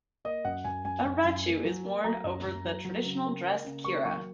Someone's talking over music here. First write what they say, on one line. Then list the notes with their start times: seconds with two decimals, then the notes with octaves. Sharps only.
A rachu is worn over the traditional dress kira.
0.25 A#3 D#5
0.45 F#2 F#5
0.64 F#2 G#5
0.85 F#2 G#5
1.04 F#2
1.25 F#2
1.45 A#3
1.64 F#3
1.85 A#3
2.04 F#3 A#5
2.24 F#2
2.45 F#2
2.65 F#3
2.85 F#3
3.04 C#3
3.25 A#3
3.45 A#3
3.65 C#3
3.84 A#3 C#6
4.05 F#3 C#6